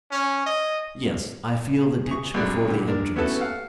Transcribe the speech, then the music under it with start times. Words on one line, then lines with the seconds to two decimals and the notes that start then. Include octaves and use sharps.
'Yes, I feel the ditch before the entrance.
0.11 C#4
0.46 D#5
2.07 G#4 C#6
2.34 B1 F#2 F#3 G#3 D5 F#6
2.68 A#2 D3 G3
2.87 G#3 D4 A#4
3.16 A3 B3 C#4 E4 F#4 A4
3.41 F5 F#5